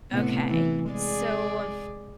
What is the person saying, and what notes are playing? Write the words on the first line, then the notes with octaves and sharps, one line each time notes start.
Okay. So, um
A2 C3 B3
E3
G#3 G#4 D5